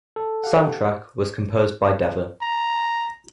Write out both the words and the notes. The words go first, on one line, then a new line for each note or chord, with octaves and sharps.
Soundtrack was composed by Deva.
A4
G4 F5 F#5
A#5